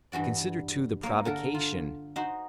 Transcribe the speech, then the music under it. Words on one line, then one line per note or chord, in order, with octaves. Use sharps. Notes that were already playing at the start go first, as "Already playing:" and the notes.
Consider, too, the provocation!
G2 E3 F#4 D5
A#3 C#5
D3 A4 A#4
F4
D#4 F#4 C5